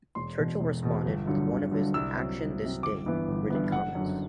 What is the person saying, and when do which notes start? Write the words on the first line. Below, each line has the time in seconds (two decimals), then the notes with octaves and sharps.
Churchill responded with one of his "Action This Day" written comments.
0.15 E1 C6
0.38 E2 B2
0.60 E1
0.83 E2 B2
1.05 G1
1.26 G2 D3 F#3
1.49 G1
1.71 G2 D3 F#3
1.94 C2 E6
2.16 C3 F#3
2.39 C2
2.61 C3 F#3
2.83 G1 D6
3.06 G2 E3 B3
3.28 G1
3.50 G2 E3 B3
3.72 F#1 F#5
3.95 F#2 D3 F#3